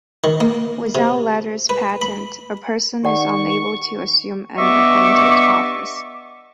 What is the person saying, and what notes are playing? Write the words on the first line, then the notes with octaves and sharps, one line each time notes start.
Without letters patent, a person is unable to assume an appointed office.
D#3
A#3
C3
B4
B5
D#3 G4 D5 F#5 C#6
G2 B3 D#5 E5 C#6 D6